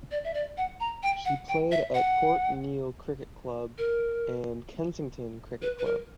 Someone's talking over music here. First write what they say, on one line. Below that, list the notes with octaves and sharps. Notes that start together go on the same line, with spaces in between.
She played at Port Neill Cricket Club and Kensington Cricket Club.
D5
E5
D5
F#5
A#5
G5
F#5
G5
E5
F#5
A#4
B4
B4
A#4